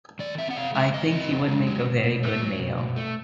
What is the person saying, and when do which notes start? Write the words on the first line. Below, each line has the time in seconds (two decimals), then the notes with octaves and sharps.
I think he would make a very good mayo.
0.19 D#3 D5
0.38 C4 E5
0.50 F#5
0.57 C3 F5
0.75 G#3 E5
0.94 D#3 D#5
1.12 C4
1.30 C3
1.49 G#3
1.67 F#3
1.85 B2
2.04 B2
2.23 A3
2.41 F#3
2.59 B2
2.78 B2
2.96 A3